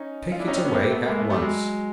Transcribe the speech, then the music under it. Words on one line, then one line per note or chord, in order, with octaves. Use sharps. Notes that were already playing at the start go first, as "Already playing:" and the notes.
'Take it away at once!'
Already playing: C#4 D#4
F4
D4 E4
C#4 D#4
C4 D4
B3 C#4
A#3 C4
C4
A3 B3
B3
G#3 A#3
A3 B3
G3 A3
F#3 G#3